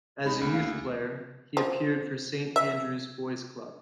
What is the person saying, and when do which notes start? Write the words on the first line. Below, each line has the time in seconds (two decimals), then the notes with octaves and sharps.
As a youth player, he appeared for Saint Andrew's Boys' Club.
0.25 G#3 D#4 B5
0.40 D2 C#3 A#3 B5
0.52 F5
1.57 F3
2.56 E5